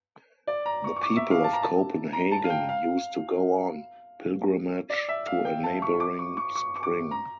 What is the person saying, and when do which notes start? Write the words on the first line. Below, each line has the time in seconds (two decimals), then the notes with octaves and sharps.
The people of Copenhagen used to go on pilgrimage to a neighboring spring.
0.47 D5
0.66 A#5
0.84 C#6
0.96 C#6
1.03 D6
1.16 E5
1.31 F5
1.44 A5
1.53 A#5
1.62 A5
2.13 A#5
2.32 A5
2.44 F5
2.50 G5
2.69 F5
4.90 D5
5.09 E5
5.26 F5
5.45 G5
5.63 A5
5.82 C#6
6.00 D6
6.19 C#6
6.37 C#6
6.55 C#6
6.76 C#6
6.83 D6
7.11 A#5